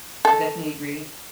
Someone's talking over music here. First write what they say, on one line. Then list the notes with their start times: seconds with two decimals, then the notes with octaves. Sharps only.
I definitely agree.
0.25 A4